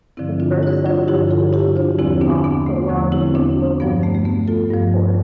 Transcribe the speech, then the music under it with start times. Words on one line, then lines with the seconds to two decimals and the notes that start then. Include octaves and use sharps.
The first settlers lived mainly off the logging of local beech forests.
0.17 G2 D3 F3 C4 E4
0.40 D4 F4
0.63 E4 G4
0.86 D4 F4
1.08 G2 D3 F3 E4 G4
1.31 F4 A4
1.53 E4 G4
1.76 D4 F4
1.98 E2 D3 F3 C4 E4
2.21 B3 D4
2.44 B3
2.67 A3
2.89 E2 D3 F3
3.12 C4 E4
3.35 B3 D4
3.80 G2 F3 B3
4.03 A3
4.15 A3
4.25 B3
4.48 F4 A4
4.70 G2 F3